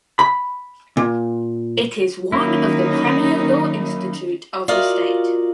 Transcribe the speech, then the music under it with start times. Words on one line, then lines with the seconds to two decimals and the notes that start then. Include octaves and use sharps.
It is one of the premier law institute of the state.
0.19 B5
0.97 A#2
2.32 D#3 F#3 A#3 C#4 D#4 E4
4.68 F4 F#4 A#4 D5 D#5 F5